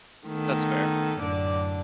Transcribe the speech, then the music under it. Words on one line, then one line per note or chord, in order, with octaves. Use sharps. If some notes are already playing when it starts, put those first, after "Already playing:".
that's fair.
D#3 A3 B3 A4
F#2 A2 D3 D5